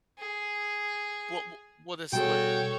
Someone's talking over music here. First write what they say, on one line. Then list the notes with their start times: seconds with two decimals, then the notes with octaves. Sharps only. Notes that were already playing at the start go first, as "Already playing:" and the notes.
wha what is what
0.19 G#4
2.13 B2 G3 F#4 G#4 A4 C#5 G5